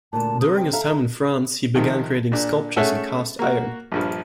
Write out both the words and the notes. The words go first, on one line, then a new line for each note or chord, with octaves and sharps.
During his time in France he began creating sculptures in cast iron.
D2 A#2 A5
C3 D#6
G5
A4 E5 F5 A#5
A#5
C3 D#3 F3
A#2 D4
A3 C#4 G#4 A4 E5 F#5
A#3 F#4
A#1 G2 F3